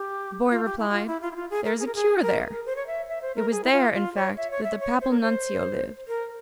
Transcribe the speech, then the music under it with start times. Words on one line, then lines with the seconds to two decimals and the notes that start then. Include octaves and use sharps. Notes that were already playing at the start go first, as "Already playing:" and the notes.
The boy replied: "There is a cure there." It was there, in fact, that the Papal Nuncio lived.
Already playing: G4
0.51 F4
0.65 G4
0.79 E4
0.89 G4
0.93 F4
1.07 E4
1.22 F4
1.31 E4
1.36 F4
1.50 G#4
1.65 A#4
1.79 G#4
1.86 A#4
1.95 G#4
2.22 A#4
2.50 A#4
2.66 C5
2.76 C#5
2.87 E5
3.09 E5
3.22 C5
3.36 A#4
3.51 G#4
3.64 E4
3.72 F4
3.94 F4
4.15 C#5
4.37 E5
4.51 C#5
4.63 E5
4.80 C#5
5.01 C5
5.10 A#4
5.21 C5
6.08 A#4